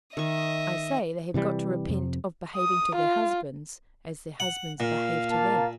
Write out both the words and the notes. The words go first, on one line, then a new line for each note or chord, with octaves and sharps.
"I say, they have got to repent of behaving to their husbands as their husbands behave to them."
D#3 D#5 E5 C#6
C3 E3 F3 G3
F2 C3
D#6
F4
F#5
A#2 F5
A#3 A5